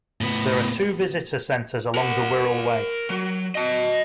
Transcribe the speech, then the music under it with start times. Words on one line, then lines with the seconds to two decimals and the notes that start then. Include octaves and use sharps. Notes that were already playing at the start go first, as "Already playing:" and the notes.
There are two visitor centres along the Wirral Way.
0.21 A2 B3
1.95 A#4 F#5
3.10 F#3
3.55 D#5 A5